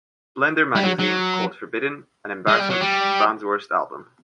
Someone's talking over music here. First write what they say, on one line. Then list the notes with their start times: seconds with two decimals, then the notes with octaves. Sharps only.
"Blender" magazine called "Forbidden" "an embarrassment ... the band's worst album".
0.75 G3
0.83 F#3
0.99 F#3
2.49 G#3
2.60 G3
2.70 F#3
2.82 G3